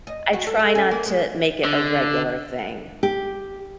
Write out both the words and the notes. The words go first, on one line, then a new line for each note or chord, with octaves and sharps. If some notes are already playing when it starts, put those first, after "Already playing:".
I try not to make it a regular thing.
D#5
F#4
A4
A4
C#4
A#3
G#3
D3
G4